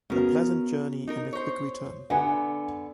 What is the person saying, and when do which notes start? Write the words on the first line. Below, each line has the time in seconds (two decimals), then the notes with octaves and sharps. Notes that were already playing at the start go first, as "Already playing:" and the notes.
A pleasant journey and a quick return.
0.10 C#3 B3 F#4 A#4
1.07 D#4 A#4
1.33 C5 C#5
2.10 D3 B3 F#5 G#5